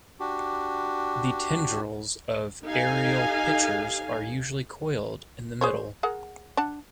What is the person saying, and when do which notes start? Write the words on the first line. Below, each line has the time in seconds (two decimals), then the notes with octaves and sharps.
The tendrils of aerial pitchers are usually coiled in the middle.
0.20 D4 F#4 G4
2.65 D#4 G4 A4 F5 G#5
5.61 G#4 C5 C#5
6.03 G#4 A#4 F#5
6.57 D4 F#5 A5